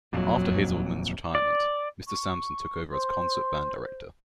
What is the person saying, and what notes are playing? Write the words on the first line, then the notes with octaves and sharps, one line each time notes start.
After Hazelman's retirement, Mr. Sampson took over as concert band director.
D#1 F2 A#2 F#3
D5
C#6
C5 C6